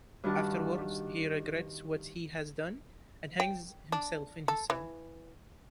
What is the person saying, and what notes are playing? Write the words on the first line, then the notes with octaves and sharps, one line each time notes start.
Afterwards he regrets what he has done and hangs himself in his cell.
G2 D#3 D4 F#4 F#5 A5
G5
D4
A4
E3